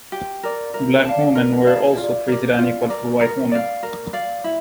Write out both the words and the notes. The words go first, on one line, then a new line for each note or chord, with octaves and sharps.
Black women were also treated unequal to white women.
F4 G4
A#4 D5
F4
E4 A#4
C4
D4 F5 A5
F4 A#4
E4
D4
F5 A5
E4
E4
D4 F4
A#4 D5
G3 F4
E3 A#4 D5
F3
E3
A2 A#4
D5 F5
A#2 A#4
A2
A#2
D5 F5
A#2 E4